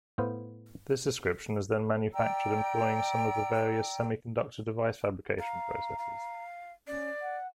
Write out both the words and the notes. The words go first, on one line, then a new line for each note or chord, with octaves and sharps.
This description is then manufactured employing some of the various semiconductor device fabrication processes.
A2 B3 C5 F5
D5 G5 A#5 E6
F5 A#5
F5
C#4 D5
F#5